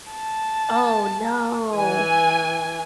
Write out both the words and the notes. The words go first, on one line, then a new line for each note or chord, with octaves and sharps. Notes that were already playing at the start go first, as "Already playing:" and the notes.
Oh, no.
A5
E3 G#5